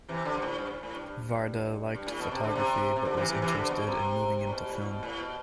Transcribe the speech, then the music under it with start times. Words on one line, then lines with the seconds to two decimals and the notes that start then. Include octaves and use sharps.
Varda liked photography but was interested in moving into film.
0.09 C3 E3
0.25 D3
0.37 G2
0.42 A2
0.58 G2
0.70 A2
0.83 A2
0.95 G2
1.07 G2
1.30 G2
1.95 G2
2.07 A2
2.19 B2
2.31 C3
2.43 D3
2.55 C3
2.96 C3
3.05 D3
3.17 C3 E3
3.29 C3 E3
3.42 C3 E3
3.54 D3
3.71 B2
3.87 C3
4.47 A2
4.53 B2
4.69 A2
4.86 B2
5.03 A2
5.18 B2